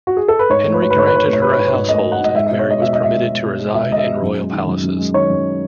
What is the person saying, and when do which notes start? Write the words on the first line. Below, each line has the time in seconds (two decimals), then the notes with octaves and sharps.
Henry granted her a household and Mary was permitted to reside in royal palaces.
0.07 F#4
0.17 G#4
0.28 A4
0.39 B4
0.50 G#2 C#5
0.65 A3
0.74 B4
0.80 F#3 C#5
0.90 B4
0.96 G#2 C#5
1.07 B4
1.11 G#2 C#5
1.25 A3 B4
1.33 C#5
1.42 F#3 B4
1.50 C#5
1.59 G#2 B4
1.68 C#5
1.74 G#2 B4
1.89 A3 D#5
2.05 F#3
2.12 F#5
2.20 G#2 D#5
2.35 G#3 E5
2.47 D#5
2.51 B2
2.59 C#5
2.66 G#3 D#5
2.81 B2 E5
2.93 D#5
2.98 G#3
3.03 E5
3.13 B2
3.29 G#3
3.44 B2
3.59 G#3
3.74 B2 E5
3.90 G#3 D#5
3.98 E5
4.06 B2
4.22 F#2
4.37 G#3
4.52 D#3
4.67 F#2
4.84 F#2
4.98 G#3
5.14 D#3 C#5
5.30 F#2